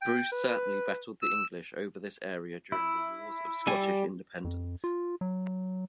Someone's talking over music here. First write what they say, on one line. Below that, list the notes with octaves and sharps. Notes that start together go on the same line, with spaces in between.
Bruce certainly battled the English over this area during the Wars of Scottish Independence.
G5
B4
E6
E4
G3 G#5
F2
F4
F#3